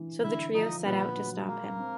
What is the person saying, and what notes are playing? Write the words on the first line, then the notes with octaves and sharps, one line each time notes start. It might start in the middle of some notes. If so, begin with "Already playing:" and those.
So the trio set out to stop him.
Already playing: E3
D3 E4 E5
F3 D#4 D#5
A#2 B3 B4
F#3
G#3 A#3 A#4
C4